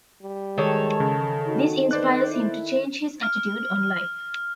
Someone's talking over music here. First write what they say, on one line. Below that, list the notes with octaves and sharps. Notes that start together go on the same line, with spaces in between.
This inspires him to change his attitude on life.
G3
D#3 G#3 A4 C#5
C#3
D#4 F#4
B4 C5 D5 F#6
E4
F6